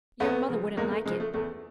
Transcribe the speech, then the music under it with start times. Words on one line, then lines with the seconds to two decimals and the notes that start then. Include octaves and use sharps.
"Your mother wouldn't like it."
0.20 E2 A3 B3
0.48 C#3 F3
0.77 E2 G#3 A#3
0.91 A3
1.05 C#3 F3 G#3
1.20 A3
1.34 E2 A3